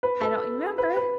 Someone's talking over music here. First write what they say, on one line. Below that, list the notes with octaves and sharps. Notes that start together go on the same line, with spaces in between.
"I don't remember."
B4
A4
B4
B4